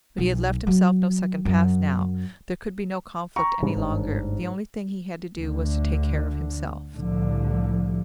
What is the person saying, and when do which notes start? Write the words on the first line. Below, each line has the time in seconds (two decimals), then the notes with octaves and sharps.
But he had left himself no second path now: there could be no conflict any longer: the only thing he had to do was to take care of himself.
0.18 B1
0.67 F#3
1.45 F#2
3.36 G5 A#5 C#6
3.62 G#2 C3 G3 C#4
3.77 G1 D4
5.38 D2 D3
6.94 C2 A2 D3 F3